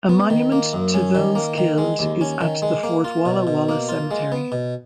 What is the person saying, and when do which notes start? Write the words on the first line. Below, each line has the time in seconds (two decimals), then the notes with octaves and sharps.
A monument to those killed is at the Fort Walla Walla Cemetery.
0.09 B3
0.30 D#3
0.52 A#3
0.73 F#2
0.94 C#4
1.15 D#3
1.35 A#3
1.58 D#3
1.78 G#3
1.99 D#2
2.21 C#4
2.41 D#3
2.62 G#3
2.83 A#3
3.05 F4
3.25 B2
3.47 B2
3.69 A#3
3.89 F4
4.11 G#3
4.32 B3
4.52 B2